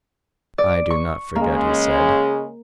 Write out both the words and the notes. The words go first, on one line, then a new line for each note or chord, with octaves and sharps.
"I do not forget," he said.
D5
C#6
C#3 G#3 A#3